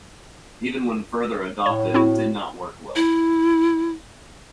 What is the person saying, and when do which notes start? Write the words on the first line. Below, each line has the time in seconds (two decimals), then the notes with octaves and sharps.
Even when further adapted it did not work well.
1.66 A2 C#5
1.94 C4 E4 F#4
2.95 E4